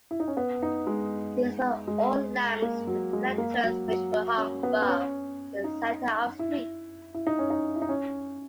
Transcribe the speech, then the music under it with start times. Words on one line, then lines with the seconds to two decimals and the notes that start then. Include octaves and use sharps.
These were oil lamps with reflectors which were hung above the center of streets.
0.11 E4
0.20 D#4
0.28 C#4
0.37 B3
0.62 D#4
0.87 G#3
1.87 G#3
2.62 A#3
2.87 F#3
3.13 G#3
3.38 A#3
3.63 F#3
3.88 F#3
4.13 F#3
4.38 C#4
4.63 B3
4.82 B3
4.88 C#4
5.64 D#4
6.39 E4
7.14 E4
7.27 D#4
7.39 C#4
7.50 D#4
7.76 E4
7.82 D#4
7.89 C#4